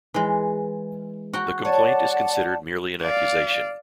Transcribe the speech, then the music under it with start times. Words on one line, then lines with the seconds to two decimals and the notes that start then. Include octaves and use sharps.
The complaint is considered merely an accusation.
0.14 E3 G#3
1.33 F#4 G5 A#5
1.65 C#5 D5 F#5 A5
3.01 D5 F5